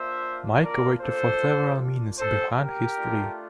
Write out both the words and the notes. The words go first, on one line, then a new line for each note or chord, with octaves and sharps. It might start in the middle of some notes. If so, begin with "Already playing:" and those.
Mike waited for several minutes behind his tree.
Already playing: A#3 D4 F4 C5 E5
A#4 D5
A4 C5
A4 C5
G4 A#4
A3 D4 F4